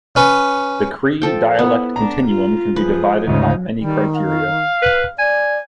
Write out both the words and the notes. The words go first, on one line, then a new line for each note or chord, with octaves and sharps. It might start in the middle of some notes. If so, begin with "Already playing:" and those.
The Cree dialect continuum can be divided by many criteria.
C#4 B4 C#6
F3 A4 G5
B3 E4
D4 A#5
F4
F3 G#4 B4
D2 G#2 C#3 D#4
D#3 G3
F5
B4
D5 G#5